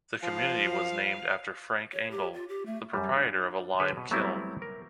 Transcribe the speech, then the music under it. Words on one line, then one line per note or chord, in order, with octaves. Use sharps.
The community was named after Frank Engle, the proprietor of a lime kiln.
F3 F5
C#5
G4
F4
G4
A3
F#2 G3
D4
D3 G#4 B4 C#5
B2
F#3 G3 A3 B3 C4 E4
A#4